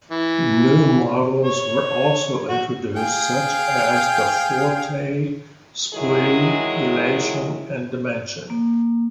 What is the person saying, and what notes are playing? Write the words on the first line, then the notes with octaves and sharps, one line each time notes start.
New models were also introduced, such as the Forte, Spree, Elation and Dimension.
E3
C#5
F#4
G#4 F5 G5
D#3 F#3 G#3 E4 G#4
A#3